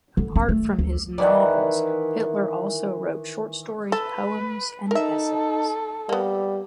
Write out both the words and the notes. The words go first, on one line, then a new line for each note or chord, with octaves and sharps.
Apart from his novels Pittler also wrote short stories, poems and essays.
D3
C4
A3
D2
D#3 E3 D5 F#5
A4 B4
D#4 A4 A#4 E5
G3 A#3 B3